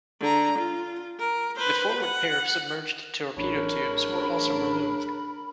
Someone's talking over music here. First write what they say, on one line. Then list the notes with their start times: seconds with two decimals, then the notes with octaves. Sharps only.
The forward pair of submerged torpedo tubes were also removed.
0.21 D3 A#5
0.58 F4
1.19 A#4
1.56 B4 C5
2.01 F#5
3.37 A1 C#3 F#3 D4 A#4 C#5 B5